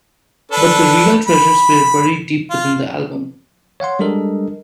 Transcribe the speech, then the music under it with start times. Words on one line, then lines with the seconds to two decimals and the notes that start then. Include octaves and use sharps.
But the real treasures were buried deep within the album.
0.52 D4 A4 B4
1.27 B5
2.50 F4
3.80 C#5 F5 F#5 C6
3.99 G3 G#3 D4 A4 A#4 D#5